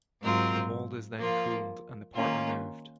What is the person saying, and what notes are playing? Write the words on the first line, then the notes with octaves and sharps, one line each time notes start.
The mold is then cooled and the part removed.
G#2 F#3 C4 F4 A#4
F3 A#3 F4
D#3 A#3 C#4 F4